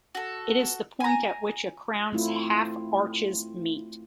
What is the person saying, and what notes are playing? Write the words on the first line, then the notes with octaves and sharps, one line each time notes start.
It is the point at which a crown's half arches meet.
F#4 A4
G#5 A#5
A3 C4 E4 F4